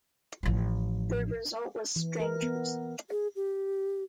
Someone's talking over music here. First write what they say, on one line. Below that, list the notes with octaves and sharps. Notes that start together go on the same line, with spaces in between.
The result was "Strangers".
A1 F3
E3
A#4
B3
G#4
G4